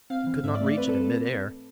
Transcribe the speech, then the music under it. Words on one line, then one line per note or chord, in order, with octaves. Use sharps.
He could not reach it in mid-air.
C4 F5
E3
G#2 E5
D5
A3
D5
C4 B4
A4